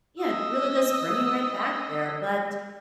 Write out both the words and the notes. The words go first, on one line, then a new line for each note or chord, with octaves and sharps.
yeah, it really does bring you right back there. But,
D#5 E6